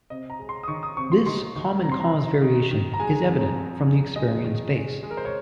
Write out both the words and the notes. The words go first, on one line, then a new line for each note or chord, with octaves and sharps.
This "common-cause variation" is evident from the experience base.
C3 D#5
A#5
G#3
C6
D#6
D#3 C#6
D#6
C3 C#6
C6
D#3 C6
D#3
C3 A#5
C6
A#5
D#3
D#3
D#3
A#5
G#3 G#5
F2
F2
G#3
G#3 D#5
D#3
G#3
G#3
A#4
C5
C#5